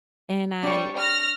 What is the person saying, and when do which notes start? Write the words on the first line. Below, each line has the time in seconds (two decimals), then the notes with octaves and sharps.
and I
0.63 G3 D4 C#5
0.98 F6 A#6